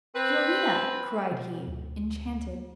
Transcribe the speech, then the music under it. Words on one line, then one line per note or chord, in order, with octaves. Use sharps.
"Florina!" cried he, enchanted.
C4 B4
B2
D2